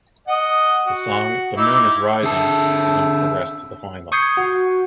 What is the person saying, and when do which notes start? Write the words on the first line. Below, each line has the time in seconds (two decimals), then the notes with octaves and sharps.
The song "The Moon is Rising" did not progress to the final.
0.27 D#5 F#5
0.87 F#4
1.57 D#4 E4 D6
2.23 D3 G#4 E5 A5
4.12 C#6 D#6 G6 G#6 C7 C#7
4.37 F#4